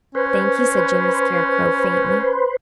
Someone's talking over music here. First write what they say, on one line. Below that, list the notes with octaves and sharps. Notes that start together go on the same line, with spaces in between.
"Thank you," said Jimmy Scarecrow faintly.
C#4 B4 C5